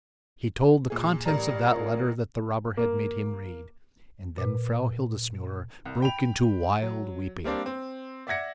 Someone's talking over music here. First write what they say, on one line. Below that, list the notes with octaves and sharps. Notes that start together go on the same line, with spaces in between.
He told the contents of that letter that the robber had made him read, and then Frau Hildesmuller broke into wild weeping.
A#2 G#4
A1 G3 A#4 A#5
A#2
A#3
A#2 B4
C2
G5 B5 F7
F#3
G3 A#3 C4 D4
C4
D5 E5 F#5 G#6 A#6 C#7